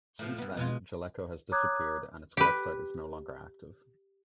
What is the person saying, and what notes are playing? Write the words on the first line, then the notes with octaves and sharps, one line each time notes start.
Since then, Jaleco has disappeared and its website is no longer active.
A2 F3
G2 B3
B2 G#3 F4
C#5 A#5 D6 D#6 F#6 G#6
G4 B4